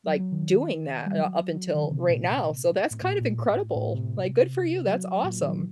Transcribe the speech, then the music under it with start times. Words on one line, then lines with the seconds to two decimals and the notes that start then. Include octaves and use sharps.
like, doing that, uh, up until right now, so, that's kind of incredible, like, good for you, that's awesome.
0.07 F#3
0.20 F#3
0.32 D#3
1.06 G3
1.18 F#3
1.55 F#3
1.75 D#3
1.83 D3
1.91 C3
2.09 A#2
2.91 A2
3.02 A#2
3.21 A#2
3.38 A2
3.76 A2
3.94 C3
4.87 F#3
5.24 A#2
5.41 D#3
5.48 F#3